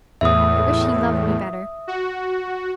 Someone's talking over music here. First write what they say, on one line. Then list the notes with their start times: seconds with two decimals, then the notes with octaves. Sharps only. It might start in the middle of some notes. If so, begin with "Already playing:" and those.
"I wish he loved me better."
0.21 E2 A2 E5 D#6
1.88 F#4